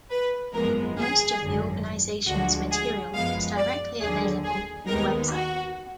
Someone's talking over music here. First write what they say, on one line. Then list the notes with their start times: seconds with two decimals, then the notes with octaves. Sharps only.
Most of the organization's material is directly available on their website.
0.10 B4
0.54 G#1 F#2 F3 G#3 B3 A#4
0.97 G#4
1.41 G#1 F#2 D3 F#3
2.27 D2 D3 F3 G#3 F#4
2.71 G#4
3.13 F#2 F3 G#3 B3 F5
3.57 D5
4.00 D#2 D3 F#3 G#4
4.44 G#4
4.87 D#2 D#3 G#3 B3 D#4 A#4
5.31 F#4